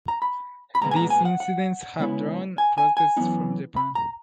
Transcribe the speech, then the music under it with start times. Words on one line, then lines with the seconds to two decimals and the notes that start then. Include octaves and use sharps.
These incidents have drawn protests from Japan.
0.08 A#5
0.22 B5
0.75 B5
0.81 A#2 G#3 B3 A#5
0.91 G#5
0.96 A#5
1.10 G#5
1.25 F#5
1.40 F#5
1.98 C#3 G#3 B3 E4
2.58 G#5
2.78 G#5
2.97 G#5
3.17 F#2 E3 B3 D#4
3.76 B5
3.95 A#5